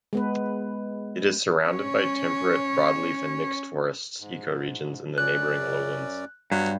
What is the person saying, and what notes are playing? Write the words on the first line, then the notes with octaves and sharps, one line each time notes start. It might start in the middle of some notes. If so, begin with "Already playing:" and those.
It is surrounded by temperate broadleaf and mixed forests ecoregions in the neighboring lowlands.
G#3 B3 B4
C#4 C#5
G#2
F#2 C#4 D5 F#6
G2 F#3 B3